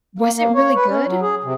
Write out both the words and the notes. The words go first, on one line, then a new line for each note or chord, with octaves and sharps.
Was it really good?
A#3
A#3
C#5
B4
C#4
F#3
G#4
C3